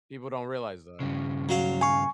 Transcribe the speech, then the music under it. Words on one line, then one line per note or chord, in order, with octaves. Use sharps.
People don't realize that.
G2 C#3
F#3 F5
F5 G#5 C#6